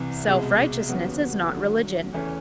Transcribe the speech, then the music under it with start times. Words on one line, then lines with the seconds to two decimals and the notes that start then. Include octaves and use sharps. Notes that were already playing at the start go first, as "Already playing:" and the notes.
Self-righteousness is not religion.
Already playing: C2 C3 E3
0.28 C2 B2 G#3
0.89 D#2 C#3 F#3 B3
1.50 D#2 D3 F#3 A3
2.13 E2 C#3 E3 A3 C#4